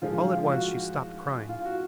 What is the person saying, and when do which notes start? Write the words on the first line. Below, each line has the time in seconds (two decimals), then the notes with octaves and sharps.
All at once she stopped crying.
0.02 D3 F3 G#3 F4
0.18 F4
0.35 F4
0.51 F#4
1.49 F4
1.65 F#4